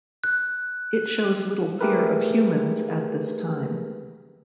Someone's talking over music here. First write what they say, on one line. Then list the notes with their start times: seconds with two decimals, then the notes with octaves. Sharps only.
It shows little fear of humans at this time.
0.24 F#6
1.81 A3 G4 G#4 A#4 B4